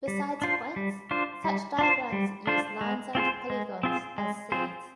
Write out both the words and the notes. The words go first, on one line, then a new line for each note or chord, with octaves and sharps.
Besides points, such diagrams use lines and polygons as seeds.
G3
D4 F4 C5
G3
D4 F4 C5
G3
D4 F4 C5
G3
D4 F4 C5
G#3
C4 F4 G#4 C5
G#3
C4 F4 G#4 C5
G#3
C4 F4 G#4 C5